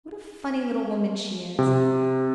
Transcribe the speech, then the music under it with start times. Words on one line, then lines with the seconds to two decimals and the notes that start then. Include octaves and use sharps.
What a funny little woman she is.'
1.59 C3